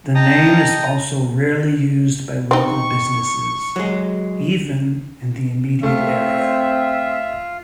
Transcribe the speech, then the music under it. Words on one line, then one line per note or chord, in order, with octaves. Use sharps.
The name is also rarely used by local businesses, even in the immediate area.
D#5 G5 A5 A#5 D#6
C4 D#4 C#6
F#3 G#3
A3 C4 F4 E5